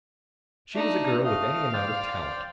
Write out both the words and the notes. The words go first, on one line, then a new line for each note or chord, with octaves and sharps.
She was a girl with any amount of talent.
A3 D4 D#4
A3 D#5 F5
C5 D5 G5